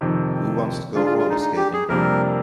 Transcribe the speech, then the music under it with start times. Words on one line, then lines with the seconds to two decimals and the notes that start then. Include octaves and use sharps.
Who wants to go roller skating?
0.01 F2 C3 D#3
0.95 D3 G#3 D4 F4 G#4
1.06 F4
1.19 F4
1.29 D#4
1.41 D#4
1.57 G4
1.73 G#4
1.89 F2 C3 G3 A#3 D4 A#4